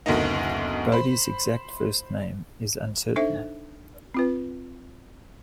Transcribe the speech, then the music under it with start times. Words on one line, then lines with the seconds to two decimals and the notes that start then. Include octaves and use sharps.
Bodey's exact first name is uncertain.
0.06 F#1 D2 B2 A#3 D#4
0.92 C5 B5
3.16 D4 D#4 A4 C5 E5
4.14 C4 F4 B4